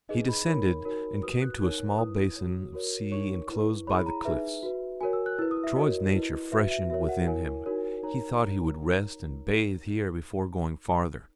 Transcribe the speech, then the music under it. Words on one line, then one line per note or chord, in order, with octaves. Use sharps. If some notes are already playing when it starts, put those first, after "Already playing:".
He descended and came to a small basin of sea enclosed by the cliffs. Troy's nature freshened within him; he thought he would rest and bathe here before going farther.
D#4 G#4 B4 D#5
B5
D#4 A#4 C#5 B5
D#4 F#4 A#4 C#5
F#4 B4 D#6
F#6
D#4 A#4 C#5
E4 B4 D#6
F#4 C#5
F#4 A#4 C#5
D#4 A#4 C#5 C#6
E4 B4
E4 G#4 C#5 B5
A#5
D#4 G#4 B4 E5
F#4 B4
F#4 A#4 C#5 G#5
E6
F#6
E4 B4 E6
D#6
E5
F#4 A#4 C#5 D#5
E4 B4
F#4 B4 E5
E5
F#4 A#4 C#5 E5
F#5
E4 A#4 C#5 G#5
D#4 F#4 A#4 C#5
D#4 A#4 C#5 A#5